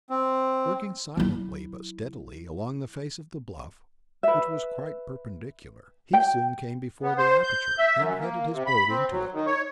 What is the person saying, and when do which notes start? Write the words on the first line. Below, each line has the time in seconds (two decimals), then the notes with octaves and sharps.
Working silently but steadily along the face of the bluff, which was quite perpendicular, he soon came before the aperture, and headed his boat into it.
0.10 C4
1.17 F#3 E4
4.23 B4 E5
6.13 G5
7.03 B3
7.18 C5
7.43 G6
7.79 E5
7.97 F#2
8.19 A#3
8.53 C3
8.67 B5
8.90 C4
9.11 F#3
9.33 D#3
9.46 C#5